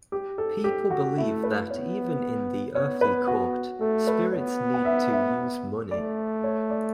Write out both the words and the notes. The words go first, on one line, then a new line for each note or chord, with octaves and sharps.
People believe that even in the earthly court, spirits need to use money.
G4
A4
G4
F#4
A3 E4
B4
B3 C#5
B3 C#5
B4
F#4
A3 A4
B4
B3 C#5
F#5
E5
E5
A3 D5
C#5
D5